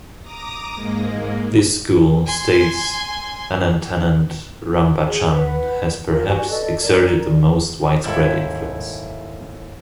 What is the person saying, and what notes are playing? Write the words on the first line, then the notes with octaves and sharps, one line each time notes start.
This school, states Anantanand Rambachan, has "perhaps exerted the most widespread influence".
A#5 D6 D#6 A#6
G#2 G#3 A#3
G#5 C6
F#4 G#4
B4 F#5
F4 A#4
F#4 G4 D5 G#5
A4 B4 D5 D#5
A#4 D5
D#2 G#2 G3 E4 A4